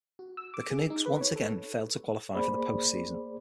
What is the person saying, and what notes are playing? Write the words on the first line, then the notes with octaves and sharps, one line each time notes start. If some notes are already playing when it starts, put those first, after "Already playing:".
The Canucks once again failed to qualify for the post-season.
F#4
E6
D6
G#4
D#4
B4
C#5
A4
C2 A#3 G#4 C5 D5 B5